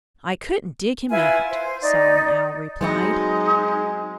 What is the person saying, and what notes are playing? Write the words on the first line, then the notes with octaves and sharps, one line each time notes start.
"I couldn't dig him out," Solomon Owl replied.
E4 F4 B4 G#5
C5
D#4 D5
F#3 G#3 B3 C4 D#4 F#5